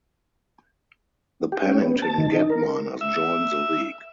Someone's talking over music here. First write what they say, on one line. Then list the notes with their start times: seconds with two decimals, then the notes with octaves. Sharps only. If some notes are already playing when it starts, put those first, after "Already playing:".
The Pennington Gap Miners joined the league.
1.52 G4
1.68 C#4
1.82 B3
2.02 A5
2.18 D#3
2.32 D#4
2.50 A#4
3.01 E5